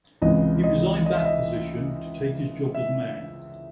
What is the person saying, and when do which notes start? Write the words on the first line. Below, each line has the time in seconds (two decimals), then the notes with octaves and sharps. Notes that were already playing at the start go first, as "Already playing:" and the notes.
He resigned that position to take his job as Mayor.
0.22 C#2 C3 E3 D#5
0.64 D#5
1.06 D#5
1.15 E5
1.25 D#5
2.75 E5